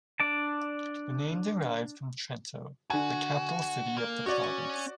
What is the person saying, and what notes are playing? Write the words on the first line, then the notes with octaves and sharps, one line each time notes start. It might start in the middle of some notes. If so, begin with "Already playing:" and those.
The name derives from Trento, the capital city of the province.
D4 D5 A5
D3 F#4 G#5
A#3
C#4 F#4 C#5 D5